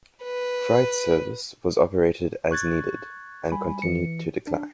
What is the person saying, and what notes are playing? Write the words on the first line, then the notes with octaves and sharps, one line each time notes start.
Freight service was operated as-needed, and continued to decline.
B4
C#6 F#6 G#6 A6
G3 G#5 B5
E3 C#7
D4